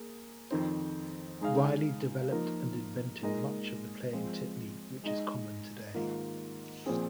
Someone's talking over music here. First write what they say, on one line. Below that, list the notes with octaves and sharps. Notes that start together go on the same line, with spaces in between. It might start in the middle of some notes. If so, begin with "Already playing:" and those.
Reilly developed and invented much of the playing technique which is common today.
Already playing: A#3 G#4
F2 D#3 C4 D#4 C5
G#3 D#4 G#4 F5
F3 A#3 D#4 A#4
A#2 G#3 D#4 A#4 D#5
F3 G#3 C4 F4
G#3 D#4 G#4 D#5
G#2 D#3 A#3 F4
A#2 F3 C4 G#4